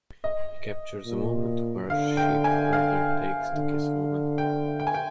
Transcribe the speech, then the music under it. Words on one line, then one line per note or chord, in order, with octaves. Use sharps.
He captures a moment where a sheepherder takes to kiss a woman.
D#5
A#2
D3 F5
G5
G#5
F5
D3
G5
G5
G#5
G5